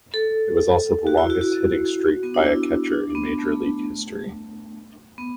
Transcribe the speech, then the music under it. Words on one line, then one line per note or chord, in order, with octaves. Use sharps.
It was also the longest hitting streak by a catcher in major league history.
A4
F#4
E4
F#4
F#4
B3
D4
E4
D4
D4
B3
A3
B3